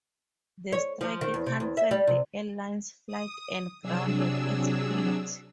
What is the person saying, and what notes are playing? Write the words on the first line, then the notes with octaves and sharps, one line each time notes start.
The strike cancelled the airline's flights and grounded its fleet.
C#5
F3
D#3
E2
C3
E2
E5
G3
C3
D#6
C3 F#3 D4 G#4 E6